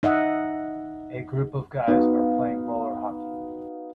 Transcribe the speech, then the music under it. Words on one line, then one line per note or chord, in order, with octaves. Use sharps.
A group of guys are playing roller hockey.
D#4 D#5 E5 F#5
B3 D#4 F#4 F5